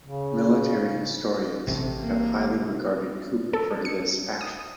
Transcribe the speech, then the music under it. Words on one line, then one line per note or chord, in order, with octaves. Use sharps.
Military historians have highly regarded Cooper for this action.
C#3
A1 A2 C3 A3 G4
A#3
A4
C#7
D#6